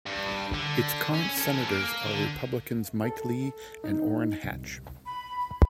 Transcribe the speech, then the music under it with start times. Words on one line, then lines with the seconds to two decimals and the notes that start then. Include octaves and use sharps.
Its current senators are Republicans Mike Lee and Orrin Hatch.
0.06 G2
0.54 D3
1.14 C#4
1.38 C#4 A4
1.68 A#3
2.05 D3
3.04 A4
3.84 D#4
4.44 C2
5.06 B5